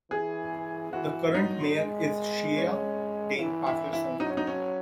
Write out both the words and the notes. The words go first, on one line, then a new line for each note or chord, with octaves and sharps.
The current mayor is Shea Dane Patterson.
E3 G#4
E3 F#4
F#3 D#4
G#3
C#4
E3 E4
E4
E4
F#3 D#4
C#4
D#4
C#4